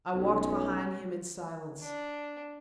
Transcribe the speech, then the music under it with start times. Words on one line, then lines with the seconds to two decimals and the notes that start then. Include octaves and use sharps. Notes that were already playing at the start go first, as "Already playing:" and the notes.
I walked behind him in silence.
0.14 B1 C#4
1.80 D4